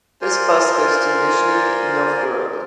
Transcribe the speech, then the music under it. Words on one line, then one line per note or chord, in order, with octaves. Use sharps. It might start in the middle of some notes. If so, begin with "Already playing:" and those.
This bus goes to Nizhniy Novgorod.
F4 A#4 C5 D5 G#5 C6